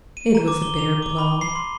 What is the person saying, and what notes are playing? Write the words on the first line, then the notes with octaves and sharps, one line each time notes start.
It was a bitter blow.
D#7
A#5
D6
G7
F7
D6
B5
C7
C6